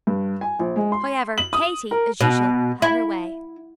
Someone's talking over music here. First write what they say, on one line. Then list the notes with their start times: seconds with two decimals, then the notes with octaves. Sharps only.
However, Katy, as usual, had her way.
0.07 G2
0.41 G#5
0.59 A#1
0.76 G#3
0.92 C6
1.38 F#7
1.53 D#6
1.91 A#4
2.21 B2
2.82 E4